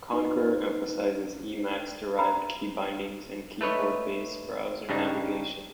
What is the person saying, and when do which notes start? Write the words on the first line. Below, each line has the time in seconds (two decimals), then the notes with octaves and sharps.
Conkeror emphasizes Emacs-derived key bindings and keyboard-based browser navigation.
0.13 D#4 B4
2.19 B4 C5 A#5 B5
3.61 A3 B4 C#5 D#5
4.89 G2 C#3 D4 D#4